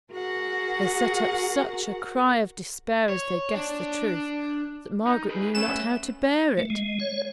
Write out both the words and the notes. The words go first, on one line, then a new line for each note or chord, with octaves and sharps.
They set up such a cry of despair as they guessed the truth, that Margaret knew not how to bear it.
F#4 G#4 A#4 F#5
C#5
D4
D#4
G#4 B4
A3 B3 C#4 E7
A3
G#3
C#5